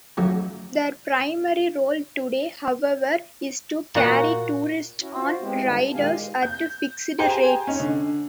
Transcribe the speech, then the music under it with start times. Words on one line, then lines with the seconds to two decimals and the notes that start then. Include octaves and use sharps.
Their primary role today, however, is to carry tourists on rides at fixed rates.
0.17 D#3 F3 F#3 A3 C#4
3.95 A#2 F#4 F#5
5.00 C#4 E4 F#4
5.17 F4 F#4 C5
5.41 G#3 B3 C4 E4 G4
5.64 G2 D3 D#3 G3 F4
5.76 A5
5.94 A#2 D#3 G#3 G4 F5 G#5
6.42 G6
7.19 G4 G#4 C5 G5 G#5 A#5
7.67 C#4 D#4
7.80 D3